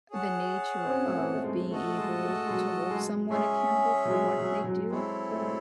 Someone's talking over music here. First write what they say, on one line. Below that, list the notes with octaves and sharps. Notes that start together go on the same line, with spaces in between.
the nature of being able to hold someone accountable for what they do,
G#4 C#5 F#5 A5
C4
C#4
A3
C4
A3
G#3
A3 F#4 A4 D#5 A5
A3
G#3
A3
G#3
F#3
G#3
G#3 C#4 G#4 C#5 E5
F#3
G#3
F#3
F#3
G#3 C4 E4 A4 C#5
A3
G#3